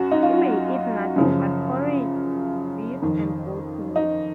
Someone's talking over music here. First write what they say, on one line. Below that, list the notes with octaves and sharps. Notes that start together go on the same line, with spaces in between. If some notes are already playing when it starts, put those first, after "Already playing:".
He may eat nothing but porridge, beef, and goat meat.
Already playing: F#2 F#4
D#4
F4
F#2 C#3 F3
F2 D#3
D#4